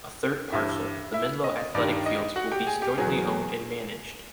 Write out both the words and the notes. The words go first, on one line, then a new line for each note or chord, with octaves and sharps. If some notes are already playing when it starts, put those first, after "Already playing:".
A third parcel, the Menlo Athletic Fields, will still be jointly owned and managed.
G2 E3 G3 E4 E5
E4 E5
D#5
G2 D#3 G3 D5
D#5
F#4 F#5
G4 G5
G#4 G#5
G4 G5
E2 B2 F#3 B3 G#4 G#5